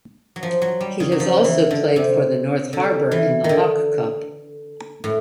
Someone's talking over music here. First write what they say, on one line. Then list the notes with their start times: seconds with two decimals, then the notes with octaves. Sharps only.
He has also played for the North Harbour in the Hawke Cup.
0.36 F#3
0.43 F3
0.62 F#3
0.81 G3
1.00 C#3
1.12 F#3
1.20 F3
1.44 E3
1.71 D3
1.96 C3
2.73 D3
3.11 E3
3.44 D#3
3.49 D3
5.04 A2